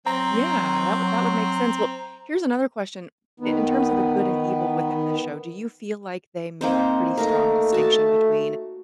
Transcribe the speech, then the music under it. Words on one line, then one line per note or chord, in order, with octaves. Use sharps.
Yeah, that wou that would make sense. Well, here's another question, i in terms of the good and evil within this show, do you feel like they make a pretty strong distinction between
F#3 C4 A#5
D#3 B3
A#3 C4 D#4 C5
A3 A#3 D#4 A#4
F#4 A5